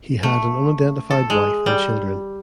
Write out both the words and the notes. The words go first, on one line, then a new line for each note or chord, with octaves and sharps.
He had an unidentified wife and children.
A3
A4
G#3
G3